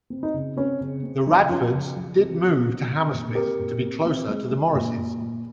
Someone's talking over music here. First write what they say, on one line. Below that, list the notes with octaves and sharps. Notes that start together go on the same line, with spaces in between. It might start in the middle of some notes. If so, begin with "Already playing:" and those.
The Radfords did move to Hammersmith, to be closer to the Morrises.
C4
D#4
C#3
C4 C#4
C#3
C4
F3 D#4
F3 C#4 F4
C#3
F3
C4
C4
C4
C4
A#2
C4 G4 A#4
A#2
C4
C4
G#3
G#3
A#2
A#2
A#2